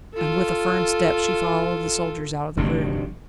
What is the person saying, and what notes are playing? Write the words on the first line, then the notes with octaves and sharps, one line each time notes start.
And with a firm step she followed the soldiers out of the room.
F4 A4
F1 D2 G2